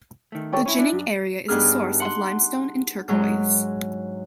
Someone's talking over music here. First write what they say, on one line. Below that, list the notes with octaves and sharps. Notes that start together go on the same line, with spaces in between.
The Jining area is a source of limestone and turquoise.
D#3 A3
G4 A4 C#5
C#4 E4 C#5
D4
F#2
G2 B3 D4 D#4 G#4 F6
F#5 C6
G#2 F#3 G#3